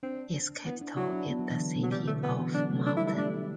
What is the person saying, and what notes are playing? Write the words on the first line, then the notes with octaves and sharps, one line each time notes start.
Its capital is the city of Multan.
C4 D4
B3 E4
D4
F#3 E4
D4
B3
F#3
E3
D3
B2
F#3
C3 G3
D3 A3
D3 B3
E3
F#3 D4
A3
A3 D4
E4
G3
E4
A3 D4